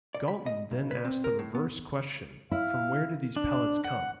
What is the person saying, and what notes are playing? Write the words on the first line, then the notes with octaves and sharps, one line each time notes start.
Galton then asked the reverse question from where did these pellets come?
D5
B5
D#5
B1
B4
C4
A#4
A2
B3
E4 F5
D4
F#5